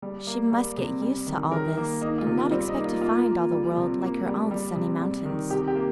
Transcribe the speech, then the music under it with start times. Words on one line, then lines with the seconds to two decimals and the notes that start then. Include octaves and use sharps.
She must get used to all this, and not expect to find all the world like her own sunny mountains.
0.02 G3
0.27 A#3
0.52 G3
0.77 C3
1.02 G3
1.26 D#3
1.52 D#3 A#4
1.77 A#3
2.01 A#3 D#4
2.18 F4
2.27 C3
2.51 G3 C4
2.68 D#4
2.76 A#3
2.85 F4
3.01 A#3 F4
3.26 A#3
3.51 G3
3.77 C3
4.01 A#3
4.26 G3
4.51 G3
4.76 C3
5.01 G3
5.25 D#3
5.50 C3 G4
5.67 G4
5.76 A#3